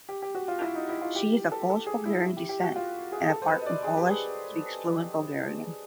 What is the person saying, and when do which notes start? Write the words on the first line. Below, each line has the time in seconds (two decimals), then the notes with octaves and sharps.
She is of Polish–Bulgarian descent and apart from Polish speaks fluent Bulgarian.
0.09 G4
0.22 G4
0.35 F#4
0.48 F4
0.62 E4
0.75 D#4
0.89 E4
1.02 F4
1.16 G4
1.52 A4
1.70 A4
1.86 G#4
2.06 E4
2.23 E4
2.37 G4
2.49 G4
2.64 F#4
2.76 F4
3.12 G#4
3.23 G#4
3.30 A4
3.42 C5
3.48 B4
3.61 D#5
3.66 D5
3.84 G#4
3.97 G4
4.10 G#4